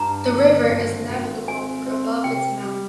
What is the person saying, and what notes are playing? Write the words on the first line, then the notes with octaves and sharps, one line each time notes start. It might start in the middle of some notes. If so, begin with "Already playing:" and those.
The river is navigable for above its mouth.
Already playing: G2 A#5
D3
G#1
G#1
C4 G#5
C4
C3 G5
G3